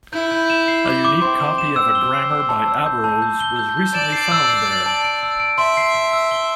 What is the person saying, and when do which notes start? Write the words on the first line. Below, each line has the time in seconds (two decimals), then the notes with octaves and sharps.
A unique copy of a grammar by Averroes was recently found there.
0.13 E4 G6
0.31 G6
0.50 E7
0.68 C7
0.85 D6
1.05 D6
1.22 C4 C6
1.40 E7
1.58 E7
1.76 C4 E6
1.95 G7
2.14 C7
2.31 E6
2.49 A5
2.68 E6
2.86 G6
3.04 A5
3.22 G6
3.40 G7
3.59 G6
3.77 G6
3.94 D5 E7
4.12 C7
4.32 E6
4.49 C7
4.68 E6
4.86 A5
5.04 D7
5.23 E6
5.40 D7
5.58 E5 C6
5.77 C7
5.94 C7
6.13 E6
6.31 G7